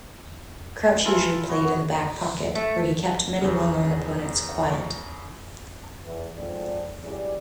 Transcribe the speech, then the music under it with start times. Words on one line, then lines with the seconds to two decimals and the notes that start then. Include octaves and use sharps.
Crouch usually played in the back pocket, where he kept many well-known opponents quiet.
1.05 E3 F4 A4
1.48 B3 F#4 C#5
2.56 A3
3.41 E2 C#3
6.04 E2 E3
6.37 G#2 F3 C4 D4 A4 D5
7.03 C#3 E3 F#3 G3 D5